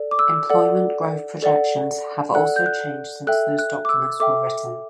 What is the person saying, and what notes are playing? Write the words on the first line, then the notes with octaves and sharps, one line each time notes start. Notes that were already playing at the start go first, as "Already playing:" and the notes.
Employment growth projections have also changed since those documents were written.
Already playing: A4 D5
D6
E6
A4 D5 F#5
A4 D5 F#5
A4 D5 F#5 F#6
G6
F#6
A4 E5 G5 F#6
F#6
D6
E6
A4 E5 G5 D6